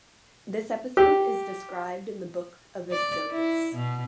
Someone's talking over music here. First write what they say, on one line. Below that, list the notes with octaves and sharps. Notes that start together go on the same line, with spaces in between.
This episode is described in the Book of Exodus.
G4
D5
E4
B2